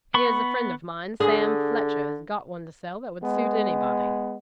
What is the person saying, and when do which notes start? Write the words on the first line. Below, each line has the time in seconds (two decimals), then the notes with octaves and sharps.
Here is a friend of mine, Sam Fletcher, has got one to sell that would suit anybody.
0.14 B3 B5 C#6
1.20 D3 G#4
3.22 G#3 B3